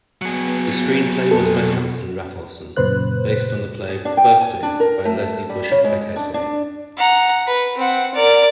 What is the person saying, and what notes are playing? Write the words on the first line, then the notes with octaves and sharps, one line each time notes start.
The screenplay was by Samson Raphaelson based on the play "Birthday" by Leslie Bush-Fekete.
F#3 B3 G#4
F2 B2 B3 A4
F#2 A#2 C#3 B4 C5 F#6
G#4
D4
G5
G#5
D4
A#4
A3
G3
C#3
G#3
D4
D4
F#5 A#5
B4
C4 F#5
A#4 D5